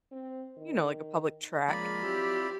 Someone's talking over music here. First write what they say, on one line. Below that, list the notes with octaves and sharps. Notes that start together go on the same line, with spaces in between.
you know, like a public track
C4
D#3
C#3 F3 G#3 A#3 D5 B5
F#3 C4 E4 F4 G4